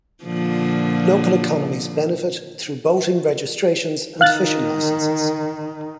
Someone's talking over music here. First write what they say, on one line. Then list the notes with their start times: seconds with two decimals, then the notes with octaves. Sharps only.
Local economies benefit through boating registrations and fishing licenses.
0.23 A#2 D3 F3
4.21 D#3 F5 F#6 A6